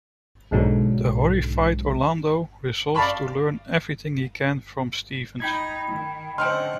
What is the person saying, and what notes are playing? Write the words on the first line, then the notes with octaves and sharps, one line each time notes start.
The horrified Orlando resolves to learn everything he can from Stevens.
B1 G#2 D3 F#3
D5 F5 A5 B5 C#6
D#4 G5 B5 G#6
D#3
D3 C4 C#4 D#4 F#5 C6 F6